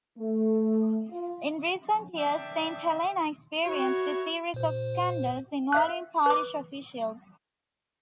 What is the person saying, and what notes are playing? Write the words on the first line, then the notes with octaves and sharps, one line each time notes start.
In recent years, Saint Helena experienced a series of scandals involving parish officials.
A3
F4
D4 E5 G5
E4 F#4 C#5
A#2 C5
E5 F5 F#6
B4 D6